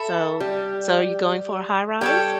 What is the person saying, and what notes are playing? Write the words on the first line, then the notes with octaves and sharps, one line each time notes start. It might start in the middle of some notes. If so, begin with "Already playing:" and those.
so so you going for a high-rise?
Already playing: A4 E5 B5
G3 G4
G3 G4 A4 C#5 G5